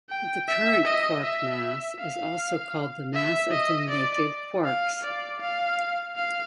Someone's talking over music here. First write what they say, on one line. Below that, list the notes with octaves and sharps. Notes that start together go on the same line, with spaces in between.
The current quark mass is also called the mass of the 'naked' quarks.
G5
E5
D#5
E5
F5
E5
D#5
D5
F5
D5
F5
F5